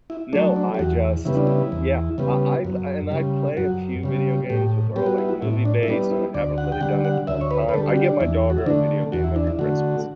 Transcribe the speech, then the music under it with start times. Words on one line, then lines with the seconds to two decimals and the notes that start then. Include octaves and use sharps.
no, I just yeah, I I glu a and I play a few video games, but they're all, like, movie-based, and I haven't really done it in a long time. I get my daughter a video game every Christmas.
0.10 E4
0.33 A3 D4
0.35 F#3
0.56 D4
0.74 G4
0.79 E2 F#4
1.25 C#3 G3 B3 E4
1.37 D4
1.47 E4
1.72 E2
2.18 C#3 G3 B3
2.65 F#2
3.10 C#3 G3
3.57 F#2 F#4
4.03 C#3 G3
4.50 A2 G4
4.96 G3 B3 G4
5.06 F#4
5.18 E4
5.29 F#4
5.42 A2 E4
5.65 D4
5.83 E4
5.88 G3 B3 D4
6.11 E4
6.34 D2 D5
6.58 F#5
6.72 G5
6.81 D3 G3 F#5
7.05 F#5
7.27 D2 E5
7.41 C#5
7.51 B4
7.69 B4
7.74 D3 G3 A4
7.89 F#4
7.97 G4
8.09 D4
8.20 E2 E4
8.50 F#4
8.58 E4
8.66 D3 A3 D4
9.12 E2 F#4
9.24 E4
9.36 D4
9.47 E4
9.59 D3 A3 F#4